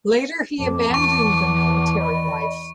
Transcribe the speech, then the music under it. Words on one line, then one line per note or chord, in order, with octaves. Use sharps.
Later he abandoned the military life.
F2 A5 D6
E2 C#6
D5 D#5 B5